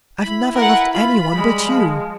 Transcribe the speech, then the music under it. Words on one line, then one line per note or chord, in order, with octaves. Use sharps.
I've never loved anyone but you.
E4 B5
A#4 B4 F#5
F4 B5
G3 G#3
F3